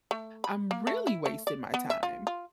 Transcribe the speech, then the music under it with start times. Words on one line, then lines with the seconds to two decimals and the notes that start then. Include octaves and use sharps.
I'm really wasting my time,
0.11 A3
0.44 B5
0.71 A#3
0.87 A3
1.07 E4
1.26 A3
1.47 D5
1.74 B3
1.90 E5
2.03 F4
2.27 F4